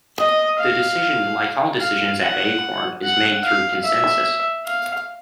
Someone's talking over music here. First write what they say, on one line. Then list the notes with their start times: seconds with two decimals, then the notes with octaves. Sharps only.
The decision, like all decisions at Acorn, is made through consensus.
0.19 D#5
0.59 F5
1.81 F5
2.22 F#5
3.04 F#5
3.44 F5
3.85 E5
4.66 F5